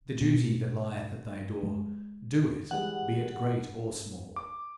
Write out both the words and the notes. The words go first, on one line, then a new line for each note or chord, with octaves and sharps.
The duty that lieth at thy door, do it, be it great or small.'
B2
G#3
E3 G3 G#3 F#5
D6